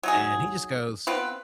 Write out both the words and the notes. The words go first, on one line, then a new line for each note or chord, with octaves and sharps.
and he just goes,
F#3 D#4 G#4
B3 C4 F4 B4